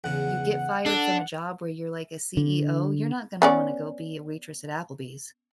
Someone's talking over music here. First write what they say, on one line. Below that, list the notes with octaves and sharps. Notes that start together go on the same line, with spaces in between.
you get fired from a job where you're, like, a CEO, you're not gonna wanna go be a waitress at Applebee's,
E2 C#3 F#5
D4 A4 D5
D3
B3 C#4 D5